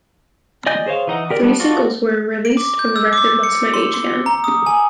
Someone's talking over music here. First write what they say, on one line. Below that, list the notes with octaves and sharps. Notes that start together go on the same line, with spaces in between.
Three singles were released from the record-What's My Age Again?
D5 D#5 G#5 G6
G#4 C5 C#5 F5
E3 D#4 F#5
G4 A#4 D5
G3 B3 D4
F4 F#4 A4 D5
D7
D6
G6
E6
D6
C#7
C6
C6
A#5
D#6
G#5